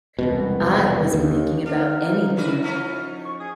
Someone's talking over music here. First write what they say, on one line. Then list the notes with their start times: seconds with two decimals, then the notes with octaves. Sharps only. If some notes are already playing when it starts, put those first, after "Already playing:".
I wasn't thinking about anything.
0.19 E1 C2 B2
1.13 D#2
1.66 D4 D#4 F5
2.37 D#2 E4 F#4 A#4 B4
2.63 F3 C#4 D#4
3.25 C#6
3.40 G#4 D#6